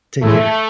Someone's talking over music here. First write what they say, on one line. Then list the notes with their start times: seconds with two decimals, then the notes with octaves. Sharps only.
Take care.
0.22 A2 E3 G#3 A3